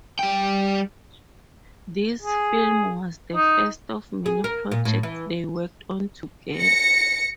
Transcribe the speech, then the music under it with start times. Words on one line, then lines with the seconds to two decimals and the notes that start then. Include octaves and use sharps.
This film was the first of many projects they worked on together.
0.19 G3 G5
2.22 G#4
3.36 D#4
4.26 G#4
4.44 A#4
4.71 A#2
4.85 A2
5.03 E3
6.58 A#6 C#7